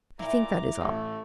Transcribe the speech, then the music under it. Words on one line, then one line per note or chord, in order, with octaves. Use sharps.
I think that is all.
A#2 E4 A#5 D6
A1 A3